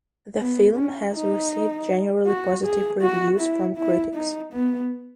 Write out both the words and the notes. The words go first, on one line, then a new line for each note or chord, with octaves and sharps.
The film has received generally positive reviews from critics.
B3
C#4
D#4
F#4
G#4
F#4
E4
E4
D#4
B3